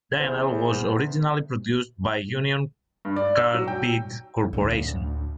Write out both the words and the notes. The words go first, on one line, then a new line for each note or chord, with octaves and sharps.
Dynel was originally produced by Union Carbide corporation.
E2 C5
G2
D5
E6
F#3
G5
D2 A2 C#3